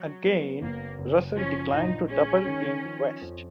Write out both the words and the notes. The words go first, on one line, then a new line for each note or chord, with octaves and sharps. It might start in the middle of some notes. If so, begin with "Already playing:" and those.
Again, Russell declined to double-team West.
Already playing: F#3
B3
F#1 A#3
F#1
F3 C#4
A#1 D#4
G#3 C#4
D#3
F3
F2